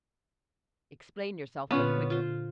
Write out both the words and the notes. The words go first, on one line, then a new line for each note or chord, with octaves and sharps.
"Explain yourself--but quickly."
A#2 D3 B3 C#4 F4 B4
F4 C5